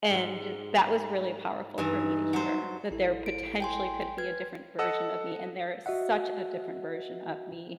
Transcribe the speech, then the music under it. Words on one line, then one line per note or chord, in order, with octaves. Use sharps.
and that was really powerful for me to hear, that there potentially could be a different version of me, and there is such a different version of me,
G#2
G2 E3 D#4 E4
F#3 D4 C5
A1 E4 A4
D7
G5 G#5 C6
B4 G#6
A4 D#5 F#5 E6
F#4 D#5 E5 F#5